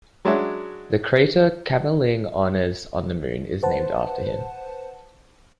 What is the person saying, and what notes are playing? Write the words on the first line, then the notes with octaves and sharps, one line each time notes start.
The crater Kamerlingh Onnes on the Moon is named after him.
F#3 G#3 C#4 D4 F#4 E5
B4 C5 F#5 A5